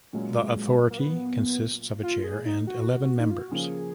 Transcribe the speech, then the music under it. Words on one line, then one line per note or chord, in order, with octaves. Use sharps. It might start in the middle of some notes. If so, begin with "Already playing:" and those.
The Authority consists of a Chair and eleven Members.
A#2 F#3 G#3 C#4
A#3
B3
F4
G#4
D#4
F#4
D#4
F4
F#4
C#3 F3 A#3 C#4 G#4